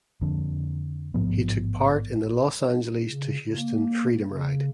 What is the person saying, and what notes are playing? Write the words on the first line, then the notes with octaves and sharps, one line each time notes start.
He took part in the Los Angeles to Houston Freedom Ride.
F2 D3
A1 G#2 F3 B3
C#3
A#3
C#3